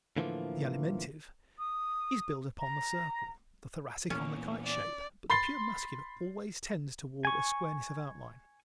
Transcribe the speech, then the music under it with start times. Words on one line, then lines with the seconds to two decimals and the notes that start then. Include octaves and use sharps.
The Alimentive is built upon the circle, the Thoracic on the kite-shape but the pure Muscular always tends toward a squareness of outline.
0.17 A2 D3 E3 F3 A3 A#3
1.59 D#6
2.59 A#5
4.10 E2 A#2 E3 A#3 B3 C#4
4.66 D5
5.30 B5 C6 A6 C7 G7
7.25 G#5 C#6